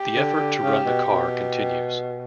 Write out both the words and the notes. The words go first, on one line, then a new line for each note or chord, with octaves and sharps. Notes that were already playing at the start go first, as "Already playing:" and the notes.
The effort to run the car continues.
Already playing: G4
D3
D#3
D3
C#3
B2
B2